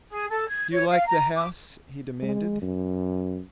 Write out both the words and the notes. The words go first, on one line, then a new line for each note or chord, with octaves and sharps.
"Do you like the house?" he demanded.
G#4
A4
G#6
C#5
F5
A#5
D6
G#3
F#2